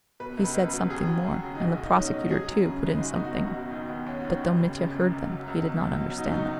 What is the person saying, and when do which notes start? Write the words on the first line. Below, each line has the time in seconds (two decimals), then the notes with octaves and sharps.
He said something more, and the prosecutor, too, put in something, but though Mitya heard them he did not understand them.
0.20 B2 B4
0.37 C#2
0.44 B4
0.54 C#2
0.68 F#3 B4
0.90 D#2 G#4
1.07 F#3
1.24 F#3
1.43 C#3
1.55 D#4
1.60 B1 F#4
1.77 B1
1.84 D#4
1.93 C#4
1.96 B2 D#4
2.07 F#4
2.13 F#3
2.30 F#3 G#4
2.48 F#2
2.65 C#3
2.84 F#1
2.94 D#4
3.00 F#3 F#4
3.15 B2 D#4
3.25 F#4
3.36 C#2
3.47 F#4
3.54 B2
3.71 D#2 D#4
3.89 D#2 B3
4.06 D#2 C#4
4.20 F#4
4.24 D#2 D#4
4.42 G#1
4.59 C#3
4.77 C#3
4.95 F#2
5.12 C#2
5.30 F#3
5.48 C#2
5.64 B2
5.83 C#2
6.01 F#3
6.18 F#3 D#4
6.25 F#4
6.32 C#2 D#4